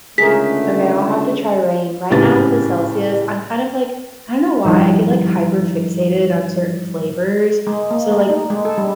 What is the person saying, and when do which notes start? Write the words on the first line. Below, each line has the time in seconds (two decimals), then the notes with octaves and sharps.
Okay, I'll have to try Reign. Right now with the Celsius, I'm kind of like I don't know why I get like hyper-fixated on certain flavors, so, like,
0.18 C#2 D3 A3 G#4 A#4 B6
2.10 G#1 A2 C#3 G4 B4 A6
4.65 G2 D#3 F3 G3 D#4 E4
7.67 G#3
7.91 A#3
8.11 A3
8.30 D#4
8.50 G#3
8.65 A4
8.78 G3